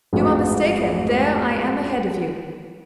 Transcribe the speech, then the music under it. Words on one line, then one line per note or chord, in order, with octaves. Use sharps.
"You are mistaken; there I am ahead of you."
A1 F2 G#2 F#3